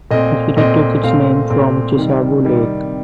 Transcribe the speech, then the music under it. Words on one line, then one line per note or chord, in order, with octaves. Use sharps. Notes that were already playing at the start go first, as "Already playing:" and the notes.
The city took its name from Chisago Lake.
A#2 A3 C4 D#5
A#2 A3 C4 D#5
A#2 A3 C4 F5
A#2 A3 C4
C3 D#3 G3
C3 D#3 G3